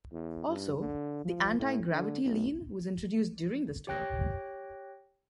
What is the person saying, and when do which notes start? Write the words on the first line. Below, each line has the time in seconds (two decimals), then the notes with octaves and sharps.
Also, the anti-gravity lean was introduced during this tour.
0.12 E2
0.47 G2
0.79 D3
1.25 F3
1.59 A2
1.91 D3
2.24 B1
3.87 G4 C#5 G5 F#6 A#6